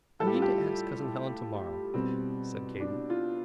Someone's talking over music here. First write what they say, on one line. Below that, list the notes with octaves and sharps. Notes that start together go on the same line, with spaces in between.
"I mean to ask Cousin Helen to-morrow," said Katy.
A2 G3 A4
G4
F4
G4
B2 G3 C4
D4
F4